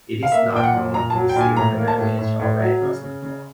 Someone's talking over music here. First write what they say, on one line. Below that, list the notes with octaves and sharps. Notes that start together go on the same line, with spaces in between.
It is not known who sealed the marriage or where it was performed.
F5
A#3 E5
A#2 G5
F#5
A#2
A#2 A#5
A5
F#3
G5
A#2 G#5
A2 A#5
A#3
A5
A2
A2
A2
F#3
C#3
C#3
C#3